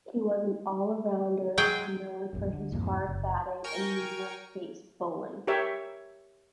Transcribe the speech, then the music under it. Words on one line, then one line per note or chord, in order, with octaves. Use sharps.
He was an all-rounder known for his hard batting and medium-pace bowling.
F#3 G#3 G#4 G5
D#1 A#1 F#2
D3
C2 F2 G#2 A#3
F#1
A#4 G5 G#5 C#6
G4 A#4 C#5 E5 G5